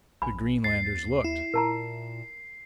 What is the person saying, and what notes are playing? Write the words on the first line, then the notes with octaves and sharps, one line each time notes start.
The Greenlanders looked.
A#1 G#5 B5
D#2 A6 C7
E4
A#2 A#4 A5 A#5